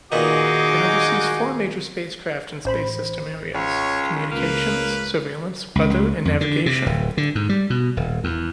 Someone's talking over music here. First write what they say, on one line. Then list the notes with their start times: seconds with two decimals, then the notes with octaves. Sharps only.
It oversees four major spacecraft and space system areas: communications, surveillance, weather, and navigation.
0.12 A#2 D#3 B3 D#4 F#4 G#4 D6
2.65 A1 C5 B5
3.55 C#2 C#5
4.31 C#2 A#3 B4
5.75 C#2
5.90 C#2
6.25 F2
6.41 D3
6.66 C3
6.86 D1
7.17 D3
7.35 G#2
7.49 G3
7.70 B2
7.97 D#1
8.24 E2